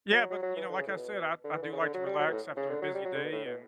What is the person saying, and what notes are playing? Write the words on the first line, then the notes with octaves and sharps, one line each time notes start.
Yeah, but you know, like I said, I I do like to relax after a busy day, and
F#3
F#3
F#3
E3
D3
C#3
A2
B2
D3
E3
D3
C#3
D3
F#3
G3
F#3
B2
A2
C#3
D3
F#3
G3
F#3
D3
B2
A2
B2